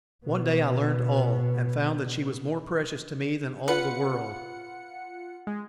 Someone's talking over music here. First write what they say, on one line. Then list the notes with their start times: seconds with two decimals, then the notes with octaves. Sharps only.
One day I learned all, and found that she was more precious to me than all the world.
0.25 B2 B3
3.68 F4 B4 F#5 C#7
5.47 G#3